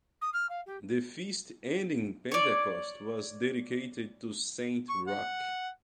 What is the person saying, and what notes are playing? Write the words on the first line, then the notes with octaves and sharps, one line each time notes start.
The feast ending Pentecost was dedicated to Saint Roch.
D#6
F6
F5
G4
C#5 D5
C#6
F#5